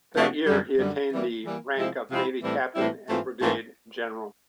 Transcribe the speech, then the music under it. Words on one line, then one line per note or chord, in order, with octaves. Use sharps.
That year he attained the rank of Navy Captain and Brigade General.
C3 F3 A3 D4 F#4
F#2 D3 G3
F#2 D3 G3
E3 G3 A#3
E3 G3 A#3
C3 F3 G#3 C4 E4
C3 F3 G#3 C4 E4
A2 E3 G3 C4 E4
A2 E3 G3 C4 E4
G#2 E3 A3 C4 F4
G#2 E3 A3 C4 F4